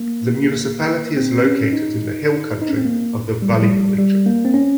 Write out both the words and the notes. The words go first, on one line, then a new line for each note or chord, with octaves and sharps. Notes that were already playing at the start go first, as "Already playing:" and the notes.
The municipality is located in the hill country of the Vully region.
Already playing: A#3
C4
C#4
D#4
D#4
C#4
C4
A#3
G3
F3
G3
G3
A#3
C4
C#4